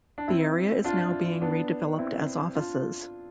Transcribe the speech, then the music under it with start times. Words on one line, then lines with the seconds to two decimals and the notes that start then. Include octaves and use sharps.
The area is now being redeveloped as offices.
0.18 D4
0.28 C4 E4
0.84 D4 F4
1.42 B3 D4
1.99 C4 E4
2.55 D4 F4